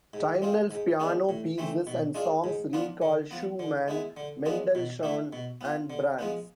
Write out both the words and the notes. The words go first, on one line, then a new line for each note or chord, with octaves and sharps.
Tinel's piano pieces and songs recall Schumann, Mendelssohn and Brahms.
G#2
G#3 C4 F4
G#2
G#3 B3 D4
A2
E3 A3 C4
B2
G#3 D4 F4
G#2
F3 B3 D4 F4
D3
F3 B3
D3
G#3 B3 E4
D3
F3 G#3 B3 D4
B2
A3 E4
B2
B3 F4
D3
F3 G#3 B3